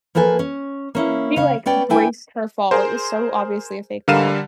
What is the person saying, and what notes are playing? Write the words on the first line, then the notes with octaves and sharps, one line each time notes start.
she like braced her fall, it was so obviously a fake fall.
F3 A#3 A4 B4 G#5
C#4
A#3 C#4 E4
C#3 C#4 C#5 F5
B3 C#4 D5 G5
D4 E4 G5 G#5
G#4 A#4 C5
D3 G3 A#4 F5 D#7 E7